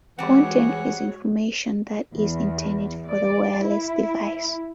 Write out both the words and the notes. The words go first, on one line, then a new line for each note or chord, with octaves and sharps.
Content is information that is intended for the wireless device.
E3 G3 G#3 C4 F#4 C#5 F#5
E2
D5
E4